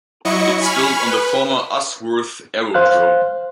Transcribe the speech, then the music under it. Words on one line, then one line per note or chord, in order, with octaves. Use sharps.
It's built on the former Usworth Aerodrome.
F#3 E4 D#5 C#6 C#7
G#5 B5 C#6 F6
B4
C5 F5 F#6